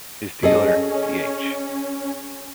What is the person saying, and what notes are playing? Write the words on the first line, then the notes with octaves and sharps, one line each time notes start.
His dealer, D-H.
C#4 G#4 A4 D#5